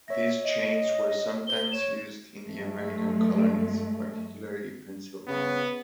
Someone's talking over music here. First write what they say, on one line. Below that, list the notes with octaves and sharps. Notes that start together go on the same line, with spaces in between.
These chains were sometimes used in the American colonies, particularly Pennsylvania.
C#5 E5 A#6
D#5
C5 G7
C#5 E7
G2 F#3 G#3 A3
C#3 B3